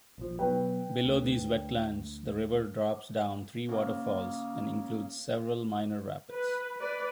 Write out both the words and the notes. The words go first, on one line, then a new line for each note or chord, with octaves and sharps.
Below these wetlands the river drops down three waterfalls and includes several minor rapids.
A#1 F3
B2 F#3 B4 G5
D2
C#3 A#3
B4
B4 D5